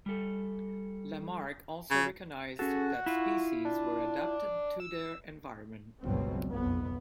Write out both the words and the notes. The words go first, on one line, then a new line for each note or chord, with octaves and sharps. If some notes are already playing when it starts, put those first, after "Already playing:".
Lamarck also recognized that species were adapted to their environment.
G3 A4
C#3
C#4 F#4 G#4 A4
E4 F4
D4
E6
G1 C#2 G2 B2 F#3 C4
F#1 B1 F2 B3